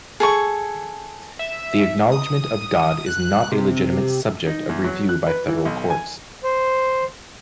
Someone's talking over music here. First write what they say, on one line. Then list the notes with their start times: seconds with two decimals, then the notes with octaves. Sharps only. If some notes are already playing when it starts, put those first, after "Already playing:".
The acknowledgment of God is not a legitimate subject of review by federal courts.
0.20 G#4 A4 C#6
1.39 E5
2.12 D#6
3.06 F#6
3.52 C3
4.47 D#4
4.69 E2
4.84 F#3
5.09 F#6
5.27 B4
5.48 E3
5.65 B1
5.90 G#5
6.44 C5